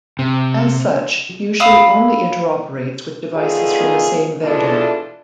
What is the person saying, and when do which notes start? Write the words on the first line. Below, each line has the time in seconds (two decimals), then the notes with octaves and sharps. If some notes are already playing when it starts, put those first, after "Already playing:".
As such it usually only interoperates with devices from the same vendor.
0.19 C3
1.60 F5 B5 D#6 E6
3.34 D3 D#3 B3 F4 G#4
4.43 B2 E3 G#3 D4 F4 A4